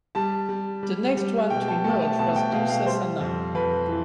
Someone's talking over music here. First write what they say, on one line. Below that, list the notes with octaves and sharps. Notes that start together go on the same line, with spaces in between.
The next one to emerge was Dussasana.
G3 A5
G3
G3
G3
B2 G5
A5
A3 A5
A5
B2 A5
G5
B2 F5
F5
G3 C5
F2
F2 B4
E3